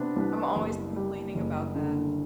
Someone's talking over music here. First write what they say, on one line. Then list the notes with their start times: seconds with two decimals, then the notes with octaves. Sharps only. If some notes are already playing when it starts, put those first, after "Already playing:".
I'm always complaining about that.
Already playing: C3 B3 C4 D4 B4
0.16 C2
0.56 F#1
0.96 G3
1.35 F#1
1.75 D3